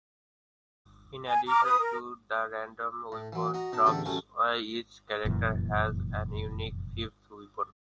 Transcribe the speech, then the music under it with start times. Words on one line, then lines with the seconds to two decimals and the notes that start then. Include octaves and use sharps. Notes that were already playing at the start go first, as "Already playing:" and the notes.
In addition to the random weapon drops, each character has a unique fifth weapon.
1.28 G#5
1.48 A#5 D6 F6
1.65 B4 D#6
1.79 A#4
3.12 A2
3.33 E3 F#3
3.54 F#4 D#5 A#5
3.73 B2 D#4 A5
3.86 A1 E2 D3 G4 A4 D5
4.05 A1 F#2 G3 A3 C#4
5.25 F1 F#2 A#2 E3